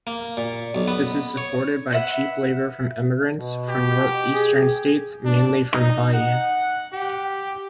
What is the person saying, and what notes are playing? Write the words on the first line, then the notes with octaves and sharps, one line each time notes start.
This is supported by cheap labor from emigrants from northeastern states, mainly from Bahia.
A#3
A#2
B1
B3
C#5
B4 E5 F#5
B2
G4
G#4
D4
D#4
F#5
G4